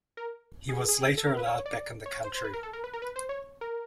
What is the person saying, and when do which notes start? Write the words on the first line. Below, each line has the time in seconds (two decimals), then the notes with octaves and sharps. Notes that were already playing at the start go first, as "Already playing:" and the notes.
He was later allowed back in the country.
0.17 A#4
0.69 G#4
0.89 G#4
1.18 A4
1.27 A#4
1.37 B4
1.46 C#5
1.66 D5
2.06 C#5
2.24 C5
2.35 C5
2.44 B4
2.53 A#4
2.63 A4
2.73 A#4
2.84 B4
2.93 A#4
3.02 B4
3.16 C5
3.29 C#5
3.61 A#4